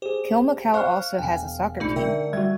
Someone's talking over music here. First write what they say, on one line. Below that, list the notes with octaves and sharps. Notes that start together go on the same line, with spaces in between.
Kilmacow also has a soccer team.
G4 G#4 C5
C5 F5 C#6 F6 F#6
E1 G5 G#5
A#1 A3 D#4 B5 C#7
D3 A#4 E5 G5
G3 F#4 E5 G#6